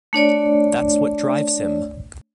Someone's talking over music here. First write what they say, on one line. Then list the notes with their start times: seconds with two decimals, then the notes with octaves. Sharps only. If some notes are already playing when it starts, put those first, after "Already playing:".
That's what drives him.
0.13 A3 D4 C#5 D5